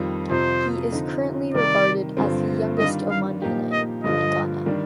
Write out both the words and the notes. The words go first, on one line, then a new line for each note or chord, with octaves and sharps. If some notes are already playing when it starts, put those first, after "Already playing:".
He is currently regarded as the youngest Omanhene in Ghana.
Already playing: F2 D#3 G3 C4 F4
F2 C3 F3 C5
D3 F3 C4 D#4
C3 D#3 G3 D5
G2 D3 F3 C4
D#3 G3 D4 F4 D#5
F5
A#2 F3 A#3 D#4 G4
D#5
G2 D3 F3 D#5
D#3 G3 D4